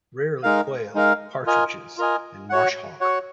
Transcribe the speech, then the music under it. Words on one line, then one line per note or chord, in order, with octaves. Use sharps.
Rarely quail, partridges and marsh hawk.
G#3 D#4 A#4 F5
G#3 D#4 A#4 F5
F4 A#4 D#5 G#5
F4 A#4 D#5 G#5
F#4 C#5 F#5
F#4 C#5 F#5